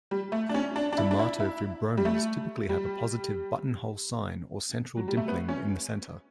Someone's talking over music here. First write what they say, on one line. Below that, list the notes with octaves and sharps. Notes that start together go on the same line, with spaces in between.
Dermatofibromas typically have a positive "buttonhole sign", or central dimpling in the center.
G3
A3
D4
C#4
D4
D4
E4
D4
E4
E4
G3
A3
G3
F#3
G3
A3
B3
C#4